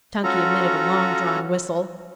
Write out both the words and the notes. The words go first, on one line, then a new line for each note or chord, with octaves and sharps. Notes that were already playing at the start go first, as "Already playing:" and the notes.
Chunky emitted a long-drawn whistle.
C#4 F4 F#4 A4 A#5